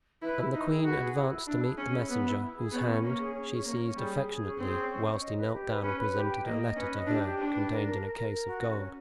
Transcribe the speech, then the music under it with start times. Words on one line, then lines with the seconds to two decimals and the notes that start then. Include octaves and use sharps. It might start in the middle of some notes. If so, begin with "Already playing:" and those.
And the queen advanced to meet the messenger, whose hand she seized affectionately, whilst he knelt down and presented a letter to her, contained in a case of gold.
0.22 E4 B4
0.38 E4
0.53 D#4 E4
0.68 G#4
0.84 F#4 B4
1.00 G#4
1.16 E4
1.31 E4
1.46 D4 E4
1.62 G#4
1.78 C#4 G#4
1.94 E4
2.09 B3 B4
2.24 E4
2.40 E4
2.56 G#4
2.71 B3 C#4
2.87 C#4
3.03 A#3 C#4
3.18 G#4
3.33 C#4
3.49 C#4
3.64 A#3 C#4
3.80 C#4
3.96 G3 G#4
4.11 G#4
4.27 G#4
4.43 C#4
4.58 C4 G#4
4.74 C#4
4.88 C#4
5.05 C#4
5.20 D#5
5.36 B4
5.52 G4
5.67 B4
5.82 C#4 B4
5.98 B4
6.14 G4
6.29 G5
6.44 A#3 D#5
6.61 D#5
6.75 C#4 B4
6.91 D#5
7.07 D4 G4
7.23 G4
7.38 D4 G5
7.53 B4
7.68 A#4
7.85 A#4
8.00 A#4
8.16 A#4
8.31 A#4
8.46 F#4
8.62 C#4
8.78 C#4